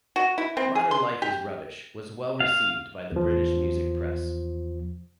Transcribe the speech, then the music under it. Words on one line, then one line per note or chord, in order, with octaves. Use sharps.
"Modern Life Is Rubbish" was well received by the British music press.
F#4
E4
C4
G#4
C6
G4
F5
E2 F3